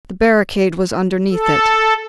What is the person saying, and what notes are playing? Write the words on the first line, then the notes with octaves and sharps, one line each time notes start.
The barricade was underneath it.
A4